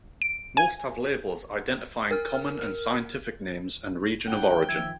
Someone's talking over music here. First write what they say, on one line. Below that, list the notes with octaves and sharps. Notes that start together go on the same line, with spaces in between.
Most have labels identifying common and scientific names and region of origin.
D7
G#5
A#4 F6
G1 D4 F#5 G5 F#6
D#3 F3 E5 G#6